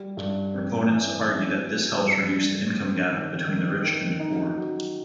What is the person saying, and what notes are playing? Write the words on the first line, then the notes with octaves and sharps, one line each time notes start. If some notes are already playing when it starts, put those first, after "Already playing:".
Proponents argue that this helps reduce the income gap between the rich and poor.
Already playing: G3
G2
C4
E3
C4
F#3
G2
G2
C4
D#3
D#3
D#3
D#4
F#3